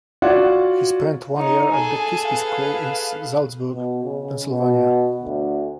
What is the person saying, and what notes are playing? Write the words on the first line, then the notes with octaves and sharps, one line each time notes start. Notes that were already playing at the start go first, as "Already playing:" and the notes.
He spent one year at The Kiski School in Saltsburg, Pennsylvania.
F4 F#4 C#5 D5 F#5
D#4 C#5
G#4 A4 G#5
B4 F5
B2
C#3
B2
D2